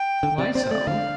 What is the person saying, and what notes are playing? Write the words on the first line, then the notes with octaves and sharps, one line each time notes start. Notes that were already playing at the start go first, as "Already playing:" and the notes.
"Why so?"
Already playing: G5
D3
C3 D5
C4 D5
C5
A3 D5
D3 F5